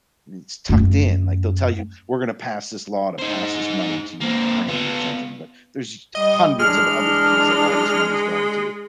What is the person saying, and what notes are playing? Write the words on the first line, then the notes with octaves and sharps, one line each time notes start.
It's tucked in like they'll tell you we're going to pass this law to pass this money to Ukraine or something, but there's us hundreds of other things that all this money is going to,
F#2 A3
D#4 C5
A#3 C4
B3 F4
G3 D#5
E3 G#3 D4 F6